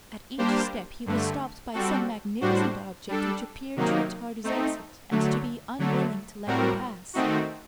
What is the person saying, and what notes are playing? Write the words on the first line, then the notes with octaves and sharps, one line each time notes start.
At each step he was stopped by some magnificent object which appeared to retard his exit, and to be unwilling to let him pass.
G3 A#3 D4 G4 C5
G2 D3 A3
G3 C4 F#4 A4
A2 G3 D4 F#4 C5
G3 D4 A4
C3 D#3 F#3 A#3 D#4
A3 C4 D#4
D3 F#3 A3
D3 F#3 A3
A2 G3 C4 F#4 A#4
D#3 A3 C4 D#4 F#4